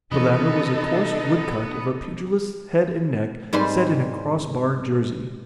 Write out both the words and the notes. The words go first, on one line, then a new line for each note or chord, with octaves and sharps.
The latter was a coarse wood-cut of a pugilist's head and neck set in a cross-barred jersey.
C3 E3 F3 B3 D#4 A4 D#5
G#2 G3 C4 B4 C6